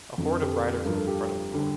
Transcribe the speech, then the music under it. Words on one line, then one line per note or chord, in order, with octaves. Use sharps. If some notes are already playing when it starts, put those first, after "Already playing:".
A horde of riders was in front of the door.
F2 D3 F3
G4
A4
G2 F3 A#4
A4
G4
D3 G3